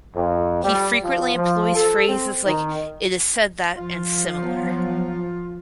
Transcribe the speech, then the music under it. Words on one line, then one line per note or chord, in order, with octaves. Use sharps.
He frequently employs phrases like "it is said that" and similar.
F2
G3
F3
F3
A4
C4
D#3
F3 F4
F#3 B3